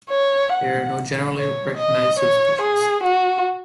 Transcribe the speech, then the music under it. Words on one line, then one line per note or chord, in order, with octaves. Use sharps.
There are no generally recognised subspecies.
C#5
F#5
C#5
D#5
C#5
G#4
F#4